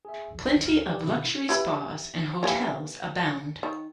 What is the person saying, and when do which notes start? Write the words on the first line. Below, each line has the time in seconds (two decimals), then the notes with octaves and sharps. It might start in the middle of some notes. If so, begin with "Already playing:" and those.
Plenty of luxury spas and hotels abound.
0.05 G#4 E5
0.31 A#1 E2
0.65 D2 F6
0.86 G4 B4 D5 D6
1.02 B2 D3 D#3 E4
1.49 E4 G4 B4
2.43 E3 A#3 G4
3.63 D#3